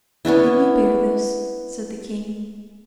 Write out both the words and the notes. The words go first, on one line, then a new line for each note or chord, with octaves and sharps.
"Can you bear this?" said the king.
B3 C#4 D4 E4